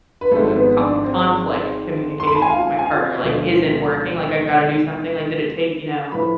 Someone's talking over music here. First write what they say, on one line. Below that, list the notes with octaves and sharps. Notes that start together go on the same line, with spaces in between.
uh uh, "co conflict communication with my partner, like, isn't working, like, I've gotta do something." Like, did it take, you know,
B4
G#1 G#2 F3 A3 A4
B3 B4
D4 D5
C4 C5
C6
B5
A5
G#5
F4 F5
G#5
F4 F5
E1 D2 D3 F3
A2 F3 B4 B5